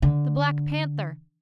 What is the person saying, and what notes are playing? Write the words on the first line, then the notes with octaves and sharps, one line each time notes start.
The black panther!
D3